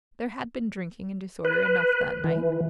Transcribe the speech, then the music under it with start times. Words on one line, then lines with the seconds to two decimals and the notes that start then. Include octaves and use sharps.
There had been drinking and disorder enough, that night....
1.45 B4
2.24 E3